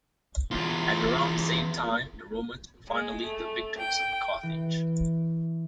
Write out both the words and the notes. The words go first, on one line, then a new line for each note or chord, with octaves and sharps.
At around the same time, the Romans were finally the victors over Carthage.
E2 F4
G#3
A3
G5
E3